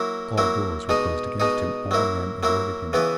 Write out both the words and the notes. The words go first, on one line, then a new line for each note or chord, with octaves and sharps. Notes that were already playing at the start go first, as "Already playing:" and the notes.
All doors were closed against him, all men avoided him.
Already playing: F#3 A#3 E4
F#3 A#3 E4
B2 G#3 D#4
B2 G#3 D#4
F#3 A#3 E4
F#3 A#3 E4
C#3 E3 B3 E4